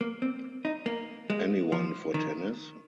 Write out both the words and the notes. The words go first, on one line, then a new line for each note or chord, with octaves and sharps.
Anyone for tennis?
A#3
C4
D#4
A#3
G#3
F3
D#3